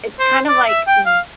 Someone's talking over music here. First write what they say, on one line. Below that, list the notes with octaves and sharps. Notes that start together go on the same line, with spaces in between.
it's kind of like, m
C5
D5
E5
G5
F5